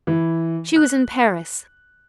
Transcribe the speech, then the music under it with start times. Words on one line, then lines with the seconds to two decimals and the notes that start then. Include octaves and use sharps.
She was in Paris.
0.07 E3
0.76 F#6